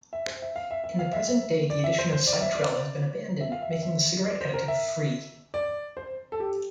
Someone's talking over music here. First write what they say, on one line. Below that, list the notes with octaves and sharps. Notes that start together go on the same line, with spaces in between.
In present day the addition of Cytrel has been abandoned, making the cigarette additive-free.
E5
C5
E5
F5
E5
E5
F5
E5
E5
D5
E5
C5
C5
D5
E5
D5
E5
F5
E5
E5
E5
D5
C5
A#4
E5
D5
C5
A4
G4